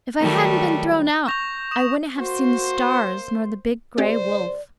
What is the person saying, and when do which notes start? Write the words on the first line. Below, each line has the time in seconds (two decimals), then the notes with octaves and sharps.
"If I hadn't been thrown out I wouldn't have seen the stars, nor the big gray wolf."
0.22 D#3 F#3 G3 A3
1.27 C#6 G6 A#6 F7
1.71 D#6 E7
2.17 A#3 F#4 C5 C6
3.98 C#2 C4 G4 G#4 C5 D5